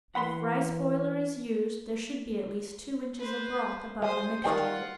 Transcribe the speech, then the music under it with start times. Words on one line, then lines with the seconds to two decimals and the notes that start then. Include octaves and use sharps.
If rice boiler is used there should be at least two inches of broth above the mixture.
0.15 E3 F#5 B5 C6
3.19 B4 C5
4.02 G#3 C5 D#6
4.44 D#3 G3 F4 F#5 G5